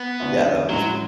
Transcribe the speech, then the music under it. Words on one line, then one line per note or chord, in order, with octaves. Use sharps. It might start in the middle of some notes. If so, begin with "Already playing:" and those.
Yeah, that would be f cool.
Already playing: B3
D2 D3 A3 C#4 E4
A2 F#3 G#3 C#4 F#4